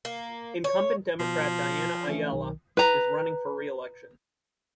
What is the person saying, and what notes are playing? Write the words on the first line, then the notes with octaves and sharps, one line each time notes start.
Incumbent Democrat Diana Ayala is running for reelection.
A#3
C#5
B2 F3
E3 A3 C#4
B1 D#3
B4 A#5